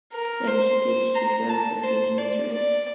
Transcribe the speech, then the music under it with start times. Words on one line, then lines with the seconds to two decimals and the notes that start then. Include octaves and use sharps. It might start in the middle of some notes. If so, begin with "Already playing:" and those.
When she did, she fell, sustaining injuries.
0.13 A#4
0.47 C5
1.15 A#5
1.49 A5
1.83 C5
2.18 D5
2.52 D5